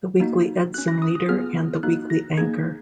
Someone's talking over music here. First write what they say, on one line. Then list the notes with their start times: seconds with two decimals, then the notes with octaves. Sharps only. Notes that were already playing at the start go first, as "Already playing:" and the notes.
The weekly "Edson Leader" and "The Weekly Anchor".
0.20 A#3 D#4 F#4
0.74 C#4 F#4 F#6
0.88 A#6
1.02 D#6
1.15 D#6
1.29 B3 F4 G#4 F6
1.83 A#3 D#4 F#4 F#6
2.10 A#6
2.37 A#3 D#4 G#4 G#6